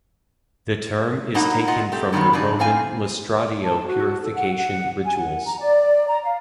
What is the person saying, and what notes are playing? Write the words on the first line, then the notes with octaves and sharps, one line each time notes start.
The term is taken from the Roman lustratio purification rituals.
G2 F#3 A#3 D#4 F#5 A#5
F4 D#5 F#5
A3 C4 G4
G2 D#3 F3 F#3 B3
C#3 G3 D4 D#4
F#2 C4 F5 G#5
A5
F#4
A4
F#5
F#5
G#5
F#5
A#5
D5
A#5
F5